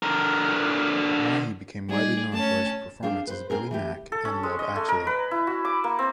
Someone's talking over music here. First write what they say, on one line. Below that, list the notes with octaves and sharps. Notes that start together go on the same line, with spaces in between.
Nighy became widely known for his performance as Billy Mack in "Love Actually".
D3 A#4
G3 D#4 G#4 D5
A3 C#4 A5
C4 D4 G#4 F5
B4 C5
C4 G#4 A#4
E3 A3 G4
A4
C#4
G#3
D#5
A3
A#4
B4
E4
F#4
D6
A#3
C4